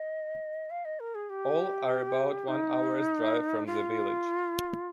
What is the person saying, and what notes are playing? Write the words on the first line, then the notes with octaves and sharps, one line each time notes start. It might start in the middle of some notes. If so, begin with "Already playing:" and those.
All are about one hour's drive from the village.
Already playing: D#5
F5
D#5
A#4
G#4
G4
D#4
F4